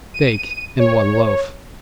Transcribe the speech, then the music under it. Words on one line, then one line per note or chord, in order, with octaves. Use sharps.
Bake in one loaf.
D#7
C#5